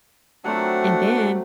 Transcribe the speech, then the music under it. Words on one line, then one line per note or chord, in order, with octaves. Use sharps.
And then,
F#3 A3 C4 D4 F#5